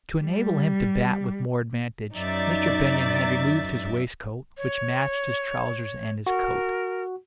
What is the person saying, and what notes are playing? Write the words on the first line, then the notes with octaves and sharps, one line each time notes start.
To enable him to bat with more advantage, Mr. Benyon had removed his waistcoat, which matched his trousers and his coat.
G3
F#2 D#4 D5 E5 A6
C#5
F#4 A#4